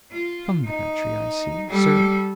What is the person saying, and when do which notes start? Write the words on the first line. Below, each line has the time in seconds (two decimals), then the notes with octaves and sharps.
'From the country, I see, sir?'
0.11 F4
0.64 D#4
1.69 G3 A4